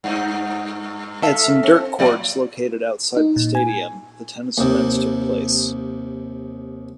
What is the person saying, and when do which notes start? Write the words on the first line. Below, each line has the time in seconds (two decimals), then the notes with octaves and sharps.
At some dirt courts located outside the stadium, the tennis events took place.
0.04 G2 D#4
1.23 A4 E5 F5
1.63 C4
1.99 A2 F#3 D5
3.17 D#4
3.36 A#2
3.55 G#5
4.58 D#2 C3